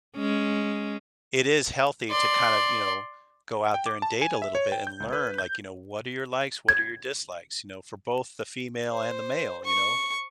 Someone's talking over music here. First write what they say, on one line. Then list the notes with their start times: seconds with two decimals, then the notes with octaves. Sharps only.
it is healthy to kind of, you know, go out there and date a little bit and learn, like, you know, what are your likes, what are your dislikes, you know, for both the female and the male, you know?
0.17 G#3 C#4
2.10 D5 C6
3.74 G5
3.86 D6
4.02 A5
4.22 G#5
4.42 E5
4.55 C#5
4.72 G5
4.87 G6
5.00 C#2
5.13 B4
5.38 G6
6.69 G#6
8.92 C5
9.65 C#6